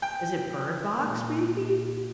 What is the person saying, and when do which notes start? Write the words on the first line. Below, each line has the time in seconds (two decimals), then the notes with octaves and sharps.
Is it Bird Box maybe?
0.02 G5
0.98 A#2